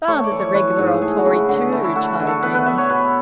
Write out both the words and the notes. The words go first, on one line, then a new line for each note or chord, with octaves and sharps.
"Father's a regular old Tory too," Charlie grinned.
A3 C#5
D5
E3
C#5
E3 B4
A4
G#2
G#4
A3 G#4
F#4
C#3
E4
D3 F#4
G#4
A3 E4
E4
A3 F#4
F#4
D3
A4
B3 B4
B4
B3 E5
C#5
B2 B4